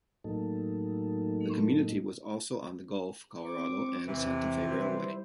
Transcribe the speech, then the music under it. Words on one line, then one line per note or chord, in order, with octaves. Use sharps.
The community was also on the Gulf, Colorado and Santa Fe Railway.
A2 F#3 A#3 D#4 A4
C4 C#6 D6
E2 C3 E3
G3 E4 C5